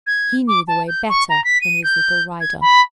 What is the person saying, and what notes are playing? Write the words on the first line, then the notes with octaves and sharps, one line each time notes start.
He knew the way better than his little rider.
G#6
D6
A5
G6
C#6
A#5
B6
D#7
G6
G#6
B5